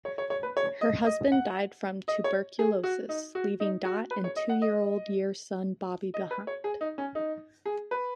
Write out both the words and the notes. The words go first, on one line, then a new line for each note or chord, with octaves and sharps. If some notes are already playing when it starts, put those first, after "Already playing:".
Her husband died from tuberculosis, leaving Dot and two-year-old year son Bobby behind.
C#5
C#5
C#5
B4
C#5
D#5
D#5
F#5
D#5
C#5
G#4
F#4
D#4
F#4
D#4
F#4
B4
C#5
D#5
F#5
D#5
D#5
B4
C#5
G#4
D#4
C#4
D#4
G#4
B4